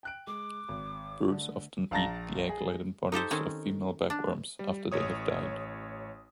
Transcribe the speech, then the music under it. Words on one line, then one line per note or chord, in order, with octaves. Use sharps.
Birds often eat the egg-laden bodies of female bagworms after they have died.
G5 F#6 D7
G#3 D6
G#1
D3 A3
A#1 F5 A5 A#5 A6 A#6
G#4
D#4 G4 A4 C5
D#3 C4 C#4
D4
G3
A1 C#5 D#6